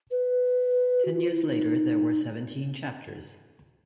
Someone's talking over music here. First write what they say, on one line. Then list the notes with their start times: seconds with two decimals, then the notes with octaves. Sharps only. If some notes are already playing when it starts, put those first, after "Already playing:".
Ten years later, there were seventeen chapters.
0.11 B4
1.05 F#4
1.13 F4
1.31 E4
1.48 D#4